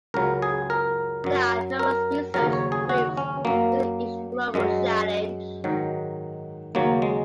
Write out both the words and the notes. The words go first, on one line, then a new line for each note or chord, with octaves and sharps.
There are numerous research groups within each Global Challenge.
C#2 C#3 F#3 A#4
G#4
A#4
F#2 F#3
A#4
D#2 C#3 F#3 A#4
C#5
G#4
F#4
C#4
F#2 F#3 A#3
F#2 F#3 G#3
G#2 D#3 F#3
D#2 C#3 F#3 A#3
G#3